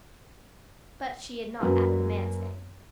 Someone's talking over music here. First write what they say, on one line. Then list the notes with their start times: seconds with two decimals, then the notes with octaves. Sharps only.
But she had not added the man's name.
1.61 F#2 F#3 A#3 B4